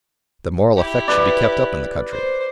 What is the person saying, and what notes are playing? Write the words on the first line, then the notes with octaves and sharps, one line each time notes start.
The moral effect should be kept up in the country.
E4 G4
B4 D5
C5